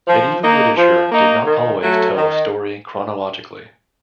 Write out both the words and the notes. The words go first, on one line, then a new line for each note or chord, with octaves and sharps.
Medieval literature did not always tell a story chronologically.
F3
A#3 D#4
F3
A#3 D#4
D#3
F#3 A3
D#3